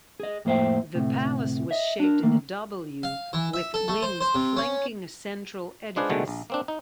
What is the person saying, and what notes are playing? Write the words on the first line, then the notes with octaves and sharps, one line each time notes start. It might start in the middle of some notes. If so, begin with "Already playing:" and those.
The palace was shaped in a 'W' with wings flanking a central edifice.
G#4 D#5
F2 A2 A#3 C5 E5 G5
D2 A2 C3
D#5 E5
D4 A#4
D#3 A3 A#3
F5
E3
E5
A4
A3
C5
C5
C3
C#4
G#3 D4 F4 G#4 B4 C5
C2 B2 D3 D#3 G#3 A3
A#1
A#3 C4 D4
D#4